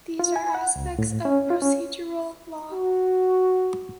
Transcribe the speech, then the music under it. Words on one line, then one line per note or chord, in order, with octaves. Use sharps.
These are aspects of procedural law.
F4
G#5
F#5
C#2
A2
C#4
F4
C#4
F#4